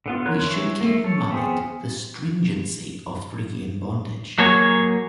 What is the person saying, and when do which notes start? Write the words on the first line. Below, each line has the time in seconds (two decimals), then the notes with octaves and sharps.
We should keep in mind the stringency of Phrygian bondage.
0.06 D3 B3 F4
0.26 A#4 C#5 C6 F#6
0.45 E3 C#5 C#6
0.81 A3 A#3
1.04 A4 C#5
1.31 B3 C4 F4 G#4
4.38 F#3 A#3 G#4 C#5